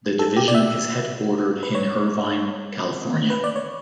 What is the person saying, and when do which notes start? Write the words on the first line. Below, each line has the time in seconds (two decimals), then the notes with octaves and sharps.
The division is headquartered in Irvine, California.
0.19 A4
0.37 G4
0.48 D5
0.55 E5
1.63 B4
1.75 C#5
3.30 B4
3.44 D5
3.56 C#5